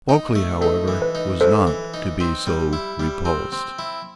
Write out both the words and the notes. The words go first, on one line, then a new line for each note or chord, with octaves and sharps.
Bulkeley, however, was not to be so repulsed.
D#4
A3
D#4 A4
E3
B4
D#4
E3 A4 C5
E3
D#4
C4
G3
E4
G3
C4
C4
E4